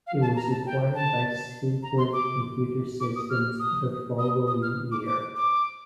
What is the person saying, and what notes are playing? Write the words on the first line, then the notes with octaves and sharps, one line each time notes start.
It was acquired by Sequent Computer Systems the following year.
F5
A5
A#5
A5
G5
A5
A#5
C6
D6
D6
D#6
F6
D#6
D#6
D#6
F6
D6
D6
D6